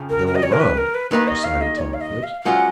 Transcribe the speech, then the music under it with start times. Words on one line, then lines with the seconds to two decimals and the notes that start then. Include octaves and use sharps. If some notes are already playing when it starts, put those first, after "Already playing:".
"Then we'll run," decided Tom Phipps.
Already playing: F2 C#3 F3
0.10 A#4
0.27 A#4
0.35 D#5
0.43 C#5
0.53 A#4
0.60 B4
0.78 A#4
0.94 B4
1.11 D#2 D#3 A#3 D#4 B4
1.28 D#5
1.44 F5
1.61 D#5
1.78 C#5
1.94 F5
2.01 D#5
2.23 F5
2.41 F5
2.45 F#2 F3 G#3 C#4 F4 F#5